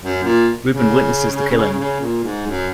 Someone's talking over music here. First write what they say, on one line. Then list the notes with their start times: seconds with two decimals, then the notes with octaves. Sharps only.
Reuben witnesses the killing.
0.02 F#2
0.23 A#2
0.68 C#3
1.79 C#3
2.01 A#2
2.23 G#2
2.46 F#2